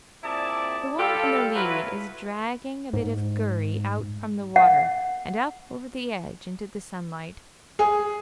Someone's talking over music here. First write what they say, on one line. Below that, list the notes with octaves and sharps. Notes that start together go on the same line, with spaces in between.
The one in the lead is dragging a bit of gurry out from the water and up over the edge into the sunlight.
A#2 C4 E4 G#4 D5 A5
G3 F4 G4 A4
F#3 E4 F4 B4
G#2
F#5
G#4